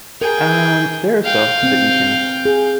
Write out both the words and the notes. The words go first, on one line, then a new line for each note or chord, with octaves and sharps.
Um, there are some that you can
G#4 A#4 G5
F5 G5
C4
G#4